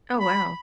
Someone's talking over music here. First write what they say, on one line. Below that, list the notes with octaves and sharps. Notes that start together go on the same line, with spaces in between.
Oh, wow.
B5